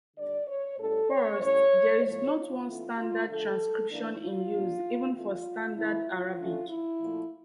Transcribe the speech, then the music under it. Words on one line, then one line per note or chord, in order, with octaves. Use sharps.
First, there is not one standard transcription in use even for Standard Arabic.
D3 G3 D4 D5
C#5
A2 G3 C#4 A4
C#5
A2 G3 C#4 C#5
A2 F3 A3 C#5
F4
E3 A3 C#4
F4
D3 F3 A3 A4
E3 A#3 D4
F4
A#2 F3 A#3 D4
E3 A3 D4 F4
C#3 E3 A#3 E4
F4
D3 A3 C#4
E4
A#2 F3 A3